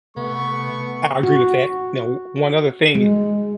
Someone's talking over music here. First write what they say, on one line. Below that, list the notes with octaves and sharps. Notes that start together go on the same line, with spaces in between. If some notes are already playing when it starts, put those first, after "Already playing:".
I agree with that. Now, o one other thing,
C3 A3 B3 C#6
F#4
G#3